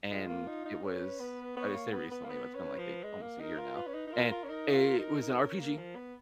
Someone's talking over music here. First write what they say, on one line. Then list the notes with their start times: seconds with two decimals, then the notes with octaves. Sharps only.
and it was I just said recently, but it's been, like, a almost a year now, and it was an RPG,
0.10 G#3 F4
0.29 A#3
0.47 D#4
0.65 D#4
0.84 C#4 B4
1.20 B3
1.56 B3 C#5
1.75 A#3
1.93 B3 B4
2.11 B3
2.24 A#3
2.30 B3 B4
2.55 C#4
2.78 F3
3.03 G#3
3.21 A#3
3.39 D#4 A#4
3.58 F4
3.75 F4 B4
3.87 C#4
3.94 D#4
4.07 D#4
4.13 F4 A#4
4.31 F4
4.44 C#4
4.49 D#4 A#4
4.73 F4
4.98 D#4
5.22 D#4
5.40 C#4
5.59 A#3
5.78 F3
5.95 B3